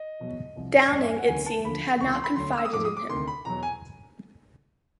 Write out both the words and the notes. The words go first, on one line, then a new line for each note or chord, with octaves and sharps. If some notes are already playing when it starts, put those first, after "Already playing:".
Downing, it seemed, had not confided in him.
Already playing: D#5
E2 B2 F#3
C2 C3 F3
G2 E3 D5
E5
G#5
F#5
D2 C3 D#3 F#3 G#5
A5
D2 D3 F3 B5
C#2 C3 E3 C#6
C6
B5
D2 D3 F#3 C6
E6
D#6
G#2 F3 D6
D#6
D6
D2 C3 D#3 C6
B5
E2 B2 F#3 A#5
G#5